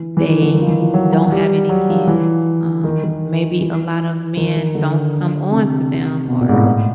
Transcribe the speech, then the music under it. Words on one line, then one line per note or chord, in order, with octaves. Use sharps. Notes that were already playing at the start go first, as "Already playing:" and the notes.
They don't have any kids. Um, maybe a lot of men don't come on to them or
Already playing: E3
E3
D#3
D3
D#3
F3
E3
F3
F#3
F#3
G3
F#3
F3
E3
D#3
D#3
E3
D#3
D#3
D3
C3
B2
A#2
G#2
A2
A2